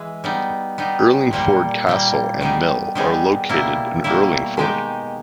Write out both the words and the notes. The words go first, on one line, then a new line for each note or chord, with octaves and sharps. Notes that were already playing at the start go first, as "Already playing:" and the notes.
Urlingford Castle and mill are located in Urlingford.
Already playing: E3 G#3 G#4 B4
G3 B3 D#4
G3 B3 D#4
A#2 G3 A#3
A#2 G3 A#3
D#3 G3 B3 D#4 G#4
D#3 G3 B3 D#4 G#4
B2 G3 A#3 E4
B2 G3 A#3 E4
D#3 G#3 D#4 G4